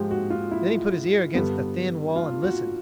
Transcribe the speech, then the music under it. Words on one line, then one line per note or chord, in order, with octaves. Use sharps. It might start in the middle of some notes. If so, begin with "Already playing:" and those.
Then he put his ear against the thin wall and listened.
Already playing: G#2 F3 G#3 G4
F#4
F4
E4
G2 D3 G3 B3
F4
F#4